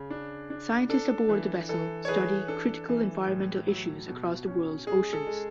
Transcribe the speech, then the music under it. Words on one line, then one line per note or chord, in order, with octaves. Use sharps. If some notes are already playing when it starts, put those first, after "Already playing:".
Scientists aboard the vessel study critical environmental issues across the world's oceans.
Already playing: C#3
D4
D4
D4 A4
E3
E3 A4
C#5
E3 G#4 B4
D4 A4
E3
A2
F#3
B2
C#4
G#3 G#4
A4
G#3